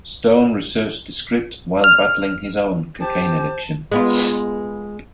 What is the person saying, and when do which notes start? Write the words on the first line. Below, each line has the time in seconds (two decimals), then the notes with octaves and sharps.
Stone researched the script while battling his own cocaine addiction.
1.84 F6
3.01 G4 C5 A5
3.92 G#3 B3 F4